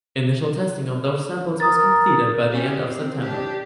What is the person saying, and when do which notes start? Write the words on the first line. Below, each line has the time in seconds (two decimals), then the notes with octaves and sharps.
Initial testing of those samples was completed by the end of September.
1.60 A#4 D#6 A6
2.52 C#4 G4
2.86 C4
3.21 D4 G4